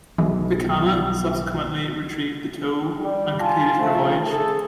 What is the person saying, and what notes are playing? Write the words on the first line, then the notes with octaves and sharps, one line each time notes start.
"Pakana" subsequently retrieved the tow and completed her voyage.
B1 E3 G#3
G3
F4 G#5 A5
F3 A3
G#4 A4